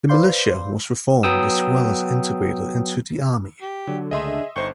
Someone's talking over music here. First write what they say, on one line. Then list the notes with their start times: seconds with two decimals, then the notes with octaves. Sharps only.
The militia was reformed as well and integrated into the Army.
0.09 B4 C5 D5 F5 C6 G6
1.23 F#3 B3 G5 D#6 E6
3.62 G4
3.87 D3 F#3
4.11 C#2 A3 G#4 D#5 E5 C6
4.56 G1 D#4 C5 G5 C#6